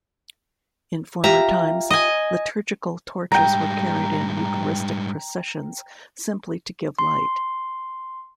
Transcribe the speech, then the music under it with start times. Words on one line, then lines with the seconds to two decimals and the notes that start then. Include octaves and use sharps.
In former times, liturgical torches were carried in Eucharistic processions simply to give light.
1.24 F4 G4 E5 A#5
1.90 D#5 G#5
3.32 G#2 G3 G5 A#5
6.99 C6